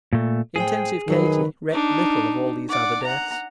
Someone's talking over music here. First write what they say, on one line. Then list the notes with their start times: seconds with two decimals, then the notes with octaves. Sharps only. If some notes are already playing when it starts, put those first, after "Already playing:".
Intensive Katie recked little of all these other deaths.
0.13 A#2 A3
0.56 A2 G#4 C5 G5
1.08 F#2 D#3 F#3 B4
1.71 D4 D#4
2.69 D5 F#5
3.03 F#5 A#5